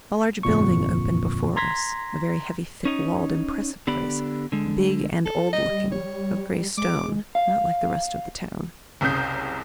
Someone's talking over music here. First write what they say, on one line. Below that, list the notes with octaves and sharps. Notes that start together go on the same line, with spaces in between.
A large building opened before us, a very heavy thick-walled impressive place, big, and old-looking; of gray stone, not like the rest of the town.
G1 F2 A#2 C#6
A#5 C6 G#6 A#6 B6
C#4 D#4 C#5 D#5
D3 B3 G4 D5 B5
D3 G#3
A4
G3 D#5
C#5
G#3 D6
F5
F#1 C2 C#3 D#6 G6 C7